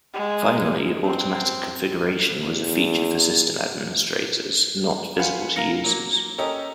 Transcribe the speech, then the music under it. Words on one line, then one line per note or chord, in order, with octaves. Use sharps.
Finally, automatic configuration was a feature for system administrators, not visible to users.
G#3
C4
E2
F4 B4 F5 F#5 G#5
A#4 F5 A#6 C#7
F#3 A#3
C#4 G4 A4 A#4 D#5